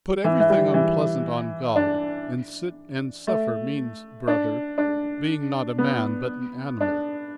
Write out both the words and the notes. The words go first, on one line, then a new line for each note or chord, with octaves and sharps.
To put everything unpleasant on God, and sit and suffer, means, brother, being not a man but an animal.
E3
E3
G3
E3
D4
A3
D4
D4
B3
D4